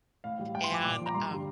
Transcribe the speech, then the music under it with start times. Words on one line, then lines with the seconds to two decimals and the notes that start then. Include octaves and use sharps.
and, um,
0.24 A2 F5
0.39 G3
0.54 G2 G5
0.64 C6
0.69 F3 D6
0.84 A#2 D6
1.00 F3
1.06 A#5
1.14 G2 C6
1.29 D3 G3